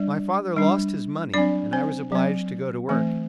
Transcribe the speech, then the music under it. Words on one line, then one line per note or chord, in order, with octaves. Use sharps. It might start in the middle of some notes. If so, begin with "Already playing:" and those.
My father lost his money and I was obliged to go to work.
Already playing: G3 D4 D5
G3 D4
F#3 C4 D4 D5
C4 C5
F#3 C4
E3 A3 C4